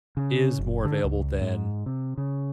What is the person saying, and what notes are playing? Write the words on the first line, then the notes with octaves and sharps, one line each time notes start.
is more available than
C#3
F#1
D3
C#2
G#2
C3
C#3